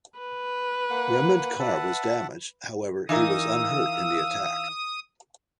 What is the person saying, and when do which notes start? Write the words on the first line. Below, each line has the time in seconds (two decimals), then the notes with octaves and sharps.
Rehman car was damaged however he was unhurt in the attack.
0.19 B4
0.90 A#3 F#5
1.59 E5 F#5 A5
3.09 E3 D#4 A#4 F5 D#6 E6